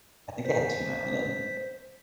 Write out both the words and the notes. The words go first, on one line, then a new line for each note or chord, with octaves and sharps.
I think it had tuna in it.
C5 B6